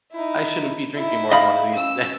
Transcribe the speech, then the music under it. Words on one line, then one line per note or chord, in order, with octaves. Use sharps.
I shouldn't be drinking more than one of these a day."
D#4 E4
D#4 E4
D#5 F5 B5
C#4 E6